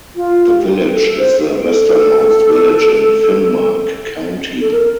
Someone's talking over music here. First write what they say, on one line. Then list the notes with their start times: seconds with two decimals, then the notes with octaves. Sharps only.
The village is the westernmost village in Finnmark county.
0.16 F4
0.55 G4
0.91 A4
1.18 C5
1.68 A4
4.61 A4
4.71 A#4